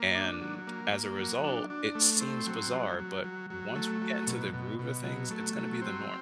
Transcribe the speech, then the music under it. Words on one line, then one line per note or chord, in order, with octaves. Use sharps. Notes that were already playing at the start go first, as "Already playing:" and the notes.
and as a result, it seems bizarre, but once we get into the groove of things, it's gonna be the norm.
Already playing: A#3
D4
F#3
A#3
A#3
F#3
D4
D4
A3
C4
F#3
F#3
F#3
F#3
F#3
A3
F#3
B2
B2
B2
F#3
A3
F#3
C4